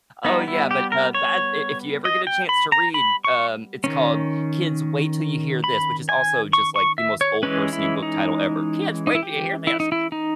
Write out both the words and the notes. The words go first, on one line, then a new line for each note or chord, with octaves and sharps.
Oh yeah, but, uh, that i if you ever get a chance to read, um, it's called, Kids, Wait Till You Hear This!, which is also just, like, the most old person-y book title ever "Kids, wait 'till you hear this,"
G3 B3 D#4
E4
G4
A#4
C#5
D#5
G5
B5
A#5
B5
C#6
D#3 A#3 C#4
B5
G#5
C#6
C#6
E5
C#5
E3 G#3 C#4 B4
E4
D#4
D#4
E4
G4
E4
D#4
E4
D#4